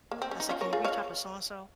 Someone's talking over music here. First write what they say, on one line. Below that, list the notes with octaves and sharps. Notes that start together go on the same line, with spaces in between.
I said, "Can you reach out to so-and-so?"
A#3
C4
C#4
D#4
C#4 F4
A#4 C#5
F4 G#4
C#5 F5